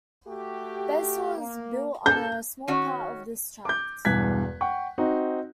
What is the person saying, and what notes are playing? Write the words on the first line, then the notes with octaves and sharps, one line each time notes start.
Basehor is built on a small part of this tract.
A3 F#4 G4
A#3
F#2 A4 G6
D#3 C#4 F#4
D6 G6
E1 E2 G2 F#6 G#6 B6
F#5 G5 C#6
C4 D#4 F#4